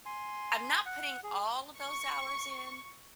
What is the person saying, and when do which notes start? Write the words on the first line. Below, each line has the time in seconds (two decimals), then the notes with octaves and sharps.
I'm not putting all of those hours in,
0.06 G#5 C6
0.86 F#5
1.23 G#4
1.80 C#6